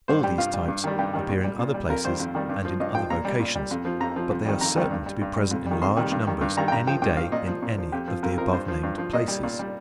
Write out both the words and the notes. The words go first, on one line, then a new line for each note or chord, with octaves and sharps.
All these types appear in other places and in other vocations, but they are certain to be present in large numbers any day in any of the above-named places.
G2 C5
G3 G4
G2 F4
G3
G2
D#3 G3
G2 G4
D#3 G3
A#2
G3
A#2
G3
F2 A#4
D#3 G3 C5
F2
D#3 G3
G2
F3
G2 D#5
F3 G5
A#2 A#5
G3
A#2
G3
F2
F3
F2 A#5
F3
F2
D#3 G3
F2 A#5
D#3 G3
G2
G3
G2
G3
F2
D#3 G3
F2 C6
D#3 G3
G2
D#3 G3
G2
D#3 G3 A#5
G5
G2 A#5
F3 G5
G2 G5
F3 F5
A#2 D#5
F3
A#2
F3
F2 G4
F3
F2 A#4
F3 A#4
G2 C5
F3
G2
F3
A#2 D#5
G3
A#2
G3